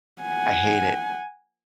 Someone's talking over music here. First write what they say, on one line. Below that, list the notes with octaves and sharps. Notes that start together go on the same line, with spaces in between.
I hate it.
F#5 G#5